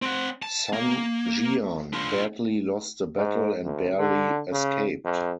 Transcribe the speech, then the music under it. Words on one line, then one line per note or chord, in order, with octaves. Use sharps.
Sun Jian badly lost the battle and barely escaped.
C4 F#5
A5
A#3
D4 F4
G#2
D2
D3
C#3
F2